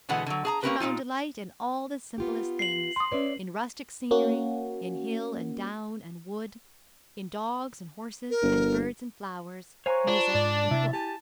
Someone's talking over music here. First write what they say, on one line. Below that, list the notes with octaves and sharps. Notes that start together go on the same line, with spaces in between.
She found delight in all the simplest things, in rustic scenery, in hill and down and wood, in dogs and horses, and birds and flowers, music and books.
B2 D3 E3 G#3 B3 F#5
D3 F#3
G#4 A5 A#5
A#3 C4 C#4 G4 A#4 B4
A#2 C#4 D#4 F4
B3 F4 G4
C7 F#7
C6 D#6
C#4 B4 C#5 D5 E5
A#3 C#4 F#4
A#4
G1
C5 C#5 F5 G#5 A#5 C#6
D4 F4
G#2 D5
C3 E4 E5 A6
G4 G#5 A5